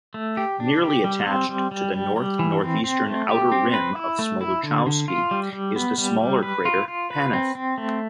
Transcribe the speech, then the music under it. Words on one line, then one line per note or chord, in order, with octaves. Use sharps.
Nearly attached to the north-northeastern outer rim of Smoluchowski is the smaller crater Paneth.
A3
G4
D4
G4
G3
C4
G3
G3
G3
G3
E3
C4
C4
A3
G4
C4
B4
E4
A3
E4
D3
D3
F4
G3
G3
B3
G3
G3
B4
F4
F4
B4
C4
C4
A3